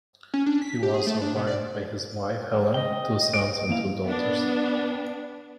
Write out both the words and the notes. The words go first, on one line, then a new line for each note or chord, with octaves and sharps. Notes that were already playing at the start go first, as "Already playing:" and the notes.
He was survived by his wife Helen, two sons and two daughters.
C#4
D4
B6
G4
G#4
A3
D4
B2
D5
D#5 G5
D7
E2 A#3 E4 F5
B3 D4